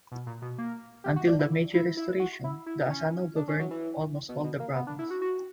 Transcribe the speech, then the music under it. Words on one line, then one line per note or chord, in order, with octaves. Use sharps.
Until the Meiji Restoration, the Asano governed almost all the province.
B2
A#2
B2
A#3
G4
F#4
D4
E4
E4
E4
F#4
E4
E4
C#4
D4
C#4
F#3
E3
B2
B2
A#3
B3
D4
E4
F#4
F#4